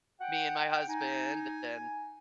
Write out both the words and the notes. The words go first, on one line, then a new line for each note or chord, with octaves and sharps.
me and my husband, and then,
F#5 G5
D#4 G#5